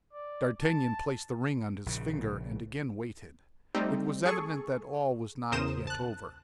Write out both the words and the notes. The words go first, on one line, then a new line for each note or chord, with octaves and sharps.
D'Artagnan placed the ring on his finger, and again waited; it was evident that all was not yet over.
D5
A5
A#1 C#3
G3 A3 C4 D#4
G#4 A4 C#6
E2 C#3 A#4 C5 D#6 E7
A5 F#6